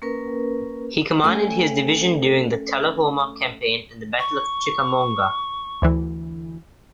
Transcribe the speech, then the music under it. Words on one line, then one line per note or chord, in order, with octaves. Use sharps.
He commanded his division during the Tullahoma Campaign and the Battle of Chickamauga.
A#3 C#4 A#4 B4
A3 C#4 A4 G5 G#5
C#6
D2 E3